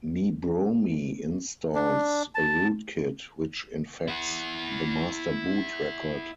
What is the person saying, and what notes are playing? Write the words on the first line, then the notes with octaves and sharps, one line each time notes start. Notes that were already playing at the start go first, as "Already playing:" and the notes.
Mebromi installs a rootkit which infects the master boot record.
D4
A5
E4 F#5